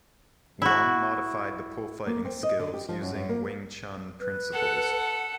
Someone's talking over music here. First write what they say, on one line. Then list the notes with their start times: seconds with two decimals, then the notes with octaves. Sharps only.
Wong modified the pole fighting skills using Wing Chun principles.
0.62 E4 F#4
2.07 A#3
2.25 C4
2.43 D#5
2.59 D3
2.74 G4
2.89 F3
3.01 F#2
3.14 F#2
3.29 A#3
4.21 B4
4.53 A4 F#5